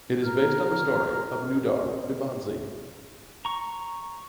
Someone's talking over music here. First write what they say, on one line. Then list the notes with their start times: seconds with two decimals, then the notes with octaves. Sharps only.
It is based on the story of Nodar Dumbadze.
0.24 A#4 A#5 F6
3.45 A#5 C#6